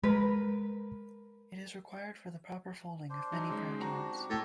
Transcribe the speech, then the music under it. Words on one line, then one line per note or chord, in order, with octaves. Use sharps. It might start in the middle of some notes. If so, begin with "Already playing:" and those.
It is required for the proper folding of many proteins.
G#3 A#4 B4
D4 C5
F#3 D#4
C#3 G#3 D#4
C4 D4 F#4 G4 A#5
A2